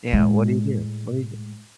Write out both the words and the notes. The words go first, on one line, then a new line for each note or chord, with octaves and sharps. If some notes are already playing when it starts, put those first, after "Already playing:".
yeah, what do you do? What do you do?
A2 G#3